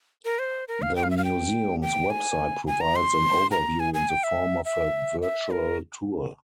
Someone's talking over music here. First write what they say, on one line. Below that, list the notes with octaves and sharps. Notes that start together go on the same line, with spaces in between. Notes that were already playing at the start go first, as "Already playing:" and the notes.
The museum's website provides an overview in the form of a virtual tour.
A#4
C5
A#4
F5
G5
F5
E5
F5
G5
G5
G#5
G#5
A#5
C6
A#5
G#5
G#5
G5
E5
E5
E5
A#4